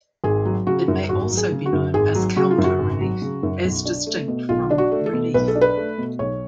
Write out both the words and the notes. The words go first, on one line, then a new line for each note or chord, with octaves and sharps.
It may also be known as counter-relief, as distinct from relief.
G#1 G#4
F#3
C#3 F#4
F#2
G#1 F#4
F#3
G#4
C#3
F#4
F#2
G#1 G#4
F#3
C#3 F#4
F4
F#2
F#4
G#1
F#3
C#3
F#2
B1
D4
A3
B2
B1 F4
D4
F#4
A3
A4
B2
B1 B4
A4
D4
B4
A3
B2
B1 C#5